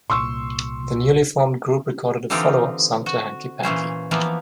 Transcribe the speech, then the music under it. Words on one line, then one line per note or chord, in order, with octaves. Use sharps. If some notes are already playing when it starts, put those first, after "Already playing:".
The newly formed group recorded a follow-up song to "Hanky Panky".
C2 A#2 C6 C#6 E6
D3 E3 C4 D#4 F4 G4
F#4
A#2 E3 C#4 C5
E3 F3 A#3 B3